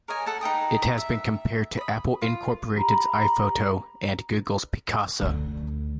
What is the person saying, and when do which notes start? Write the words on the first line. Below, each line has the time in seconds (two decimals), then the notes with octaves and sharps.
It has been compared to Apple Inc.'s iPhoto and Google's Picasa.
0.08 A#4 C#5 D#5 G#5
0.26 A4 F#5 A5
0.41 D#4 B4 G5 D#6
0.98 E5
1.77 B5 D#6
2.22 F4
2.77 G4 A#5 B5
5.21 D2 D3